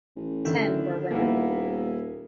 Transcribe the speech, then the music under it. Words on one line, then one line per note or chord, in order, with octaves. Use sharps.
Ten were women.
A1
D3 D#3 E4
D#1 A#3 B3 E4